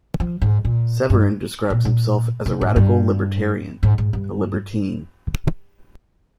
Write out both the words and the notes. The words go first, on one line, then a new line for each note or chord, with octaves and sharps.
Severin describes himself as a radical libertarian, a libertine.
F3
G#2
A#2
G2
A#2
A#2
C3
G#2
G2
G#2
G#2
G2